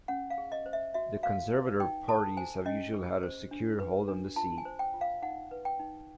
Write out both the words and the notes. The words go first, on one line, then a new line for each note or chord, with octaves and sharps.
The conservative parties have usually had a secure hold on the seat.
C#4 F#5
F5
G#4
D#5
C5
E5
F#4 E5
F#4 F5
B4
D#4 G5
A4 A5
C5 G#5
C#4 D#5
G#4
C5
D4
B4
D4
F4 A5
G#5
C5
G5
F4
F5
D#4 F#5
B4
G5
D#4